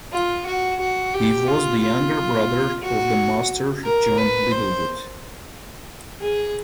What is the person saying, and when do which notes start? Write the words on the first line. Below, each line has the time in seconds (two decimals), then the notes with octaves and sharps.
He was the younger brother of the master John Littlewood.
0.12 F4
0.46 F#4
0.80 F#4
1.14 G4
1.47 F4
1.81 F4
2.83 F#4
3.84 A#4
4.18 B4
4.52 C5
6.21 G#4